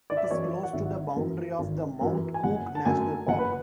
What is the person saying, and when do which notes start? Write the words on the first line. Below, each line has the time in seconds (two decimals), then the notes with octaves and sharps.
It is close to the boundary of the Mount Cook National Park.
0.10 D5
0.17 E5
0.24 D5
0.31 F#2 E3 C#5
0.63 F#5
0.73 G#1 E5
1.16 F#2 E3
1.59 G#1
2.01 F#2 E3
2.34 G#5
2.43 F#1 F#5
2.75 A5
2.85 F#2 D3 A3 D4 G#5
3.28 F#1 F#5
3.39 B4